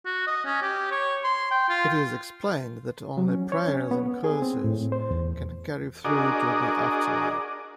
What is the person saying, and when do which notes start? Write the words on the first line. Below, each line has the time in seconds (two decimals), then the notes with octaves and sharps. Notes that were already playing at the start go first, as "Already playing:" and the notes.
It is explained that only prayers and curses can carry through to the afterlife.
0.06 F#4
0.27 D#5
0.45 C#4
0.62 G4
0.91 C#5
1.24 C6
1.51 G5
1.69 F4
3.18 F#3
3.29 C#4
3.52 C#5
3.67 C#4
3.91 B3
4.24 G#4
4.42 C4
4.64 A2
4.92 C5
5.11 E2
6.05 D4 F#4 G#4 A#4 D5 D#5